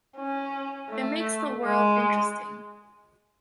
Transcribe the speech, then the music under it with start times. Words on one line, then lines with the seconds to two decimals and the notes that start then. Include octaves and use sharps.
It makes the world interesting.
0.18 C#4
0.91 A3
1.65 G#3